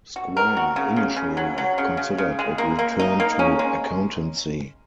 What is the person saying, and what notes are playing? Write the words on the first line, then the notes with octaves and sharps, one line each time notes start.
Squire initially considered a return to accountancy.
F#4
A#4
F#4
C#3
C#3
C#3
F#3
F#3
C#3
C#3
C#3
G#3
A#3
A#3
D#4
A#3
C#4
G#3